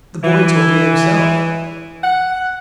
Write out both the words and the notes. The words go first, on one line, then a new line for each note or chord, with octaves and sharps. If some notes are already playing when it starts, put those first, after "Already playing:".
The boy told me himself.
E3
F#5